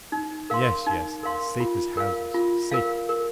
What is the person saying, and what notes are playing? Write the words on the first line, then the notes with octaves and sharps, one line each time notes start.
"Yes, yes, yes; safe as houses--safer."
D#4
A#4 F5 C6
D#4
A#4 F5 C6
F4
A#4 F5
F4
A#4 F5
A#4